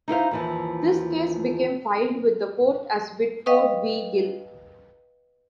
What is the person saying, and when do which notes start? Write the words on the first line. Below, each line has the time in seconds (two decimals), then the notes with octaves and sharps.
This case became filed with the court as Whitford v Gill.
0.08 D#4 E4 C5 F5
0.31 D#2 E3 F3
3.46 B4 D#5 F5 G5 C#6 D#6